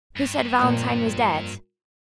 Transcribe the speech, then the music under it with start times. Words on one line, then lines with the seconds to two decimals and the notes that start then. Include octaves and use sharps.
"Who said Valentine was dead?"
0.16 G2
0.59 F2 A#2